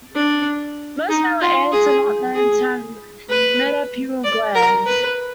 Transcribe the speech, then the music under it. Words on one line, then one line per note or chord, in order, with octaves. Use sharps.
Most male ants are not known to have metapleural glands.
D4
D#4
F4
G#4
G#4
B4
D5
A#4
B4